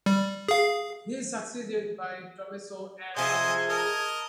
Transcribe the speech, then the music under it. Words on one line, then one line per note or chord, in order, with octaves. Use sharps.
He is succeeded by Tommaso and Alberto.
G3
G#4 F5
C3 F3 G#4 C5 D#5 E5 G#5 G#6
A#4 D#5 A5